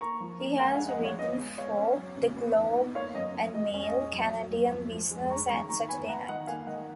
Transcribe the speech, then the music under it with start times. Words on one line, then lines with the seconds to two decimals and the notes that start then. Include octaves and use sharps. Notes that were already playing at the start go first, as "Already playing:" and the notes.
He has written for "The Globe and Mail", "Canadian Business" and "Saturday Night".
0.01 A#3 A#5 C#6
0.20 F3
0.40 A#3
0.59 G#3 F#5 A#5
0.74 F5 G#5
0.79 G#3
0.89 D#5 F#5
0.99 F3
1.05 C#5 F5
1.19 B3 D#5
1.38 G#3
1.58 B3 C#5 F5
1.78 C#4
1.97 F#3
2.17 C#3
2.36 B3
2.57 D#4
2.76 B3
2.95 A#3 C#5 F5
3.15 F#2 D#5
3.34 A#3
3.54 G#3 D#5
3.74 C#4
3.83 D#5
3.93 A#2
4.13 F#3
4.32 F#3
4.53 F#3
4.71 F3
4.91 F3
5.11 G#3
5.30 C#4 A#5 C#6
5.49 D#3 A#5 C#6
5.69 D#3 A#5 C#6
5.89 B3 G#5 B5
6.08 B3 F#5 A#5
6.28 D#3 D#5 F#5
6.47 A#3 F5 G#5
6.67 D#3 D#5 F#5